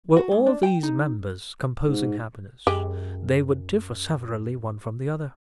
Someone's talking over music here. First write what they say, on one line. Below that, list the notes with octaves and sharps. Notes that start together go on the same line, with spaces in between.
Were all these members composing happiness, they would differ severally one from the other.
F#4
G#2
D4
G5
D#4
G#2
F#2 G#3 G4